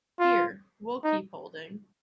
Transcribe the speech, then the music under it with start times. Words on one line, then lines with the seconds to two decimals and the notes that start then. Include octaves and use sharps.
Here, we’ll keep holding.
0.19 F4
1.04 D#4